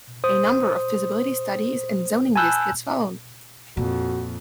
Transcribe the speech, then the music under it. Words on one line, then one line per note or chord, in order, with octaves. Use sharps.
A number of feasibility studies and zoning disputes followed.
C5 D#6
G#5 A5 B5 E6 F#6 G6
F2 A#2 F#4